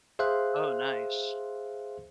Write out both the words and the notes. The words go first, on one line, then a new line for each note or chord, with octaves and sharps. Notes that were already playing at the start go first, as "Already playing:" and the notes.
Oh nice.
G#4 C5 E5 F5 C6 F#6